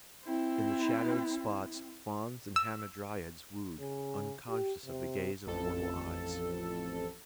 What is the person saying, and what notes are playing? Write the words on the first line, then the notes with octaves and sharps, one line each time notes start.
In the shadowed spots fauns and hamadryads wooed, unconscious of the gaze of mortal eyes.
C4 E4
E6
C#3
G4
C3
A1 F2 A4